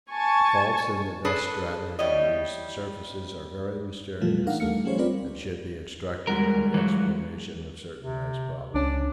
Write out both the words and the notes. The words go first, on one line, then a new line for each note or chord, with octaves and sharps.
The faults in the dust strata in these surfaces are very mysterious and should be instructive in the explanation of certain ice problems.
G#5 A5 C#6
D4 G#4 A4 B4 A5
G3 E4 C#5 D#5
A#2 E3 F3 G3 A3 F4
D4 D#4 A#4 F5 F#5
D#2 G3 A3 F6 C#7
F3 G3 C#4 G#4 C5 C#5
G3 C4 F4 A#4 B4 D5
G3 G#3 F#4 A#4
E3 F#3
C3
C#2 C#4 D4